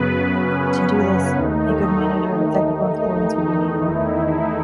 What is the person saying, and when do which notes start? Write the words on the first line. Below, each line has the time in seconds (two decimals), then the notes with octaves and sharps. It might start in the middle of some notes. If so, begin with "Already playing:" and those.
To do this a good manager with technical experience would be needed.
Already playing: F#2 C#3 F#3 B3 B4
0.38 C#4
0.88 C#4
1.36 D#2 D#3 A3 D#4
2.83 D#4
3.33 E2 D#3 A3
3.82 E4
4.32 D#4